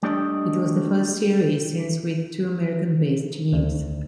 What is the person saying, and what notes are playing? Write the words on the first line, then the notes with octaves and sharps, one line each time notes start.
It was the first series since with two American-based teams.
G3 A3 D4 G4 D5 D#5
D2